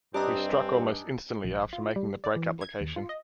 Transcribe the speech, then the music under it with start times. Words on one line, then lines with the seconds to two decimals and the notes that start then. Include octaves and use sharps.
We struck almost instantly after making the brake application.
0.14 G2 C4 D4 D#4 G4 D#5 E5 G#5
1.44 A#1
1.73 F4
1.96 G3
2.24 D5
2.36 E3
2.61 G#6
2.81 D#2
2.96 F4
3.09 D#5